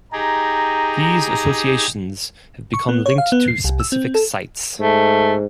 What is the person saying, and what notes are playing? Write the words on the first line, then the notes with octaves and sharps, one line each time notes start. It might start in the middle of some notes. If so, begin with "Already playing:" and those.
These associations have become linked to specific sites.
D#4 G4 G#4 A#5
C#6
B3
C#5
F5
B3
C7
C2
E6
C4
A4
G#2 A3